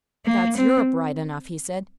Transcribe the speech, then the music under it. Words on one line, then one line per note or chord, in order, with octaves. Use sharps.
"That's Europe, right enough," he said.
A#3
C4